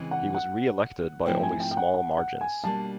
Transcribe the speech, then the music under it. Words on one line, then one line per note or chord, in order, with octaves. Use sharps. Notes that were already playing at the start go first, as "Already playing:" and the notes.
He was re-elected by only small margins.
Already playing: C#3 E3 G#3 C4
F#5
F#5
G#2 F3 A3 C4 E4 G5
G#5
G5
G5
F#5
F#5
F#5
G#5
B2 G3 A#3 D4 A5